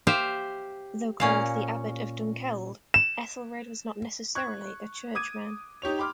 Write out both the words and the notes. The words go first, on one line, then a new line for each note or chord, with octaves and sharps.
Though called the abbot of Dunkeld, Ethelred was not necessarily a churchman.
G4 C5 E5 F5
A#2 C#4 F5
E7
C#6 F#6 G#6
D6 D#6 G#6 D#7
D#4 G4 C#5 F7
G5 B5 C6 D6 F6